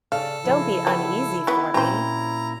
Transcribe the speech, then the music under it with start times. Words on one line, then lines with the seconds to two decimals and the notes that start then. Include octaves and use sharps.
Don't be uneasy for me!
0.12 C#3 A4 D5 F5
0.44 C#3 F3 E4
0.87 G3 B3
1.47 E3 F#3 B3
1.74 A#2 C4 C#4 F#4 C5 A#5